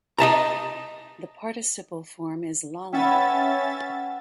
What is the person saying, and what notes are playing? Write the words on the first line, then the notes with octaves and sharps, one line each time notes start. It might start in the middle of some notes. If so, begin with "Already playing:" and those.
The participle form is lolling.
D#5 E5 A5 A#5
C#4 B4 E5 F#5 G5 A6